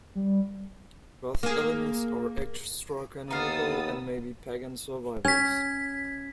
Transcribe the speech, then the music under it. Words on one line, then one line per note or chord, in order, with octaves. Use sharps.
Both elements are extra-canonical and may be pagan survivals.
G3
A#3 G#4
D#2 A#3 B3 D#4 F5 D#6 E6 A6
C#4 G#6 B6